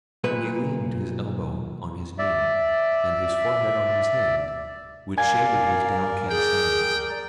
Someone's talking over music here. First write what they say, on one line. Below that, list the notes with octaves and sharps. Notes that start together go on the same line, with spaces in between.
He leaned his elbow on his knee, and his forehead on his hand, which shaded his downcast eyes.
B1 A#2 B4
D5 E5
A#4 D5 F5 G#5 G#6
G#4 G5